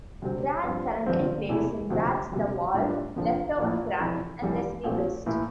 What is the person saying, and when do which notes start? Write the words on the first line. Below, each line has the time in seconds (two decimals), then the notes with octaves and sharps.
Brad currently plays in Rats In The Wall, Leftover Crack, and Recidivist.
0.22 D2 C3 G3 C4
0.64 G2 F3 C4 F4
1.06 G1 G2 F3 C4
1.49 E2 C3 E3 A3 E4
1.90 D2 C3 F3 A3 C4
2.32 D2 C3 G3
2.74 A2 G3 D4 F4
3.16 F1 F2 D3 F3 A#3
3.58 A#1 A2 E3 A#3 F4
4.00 F1 F2 E3
4.42 F1 F2 E3 G3
4.84 A#1 A#2 F3 A3 C4
5.26 A2 E3 A#3 E4